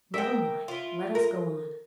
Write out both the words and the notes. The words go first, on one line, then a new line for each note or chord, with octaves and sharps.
"Never mind; let us go on."
A#4 E5 G5
E4 F4
A#4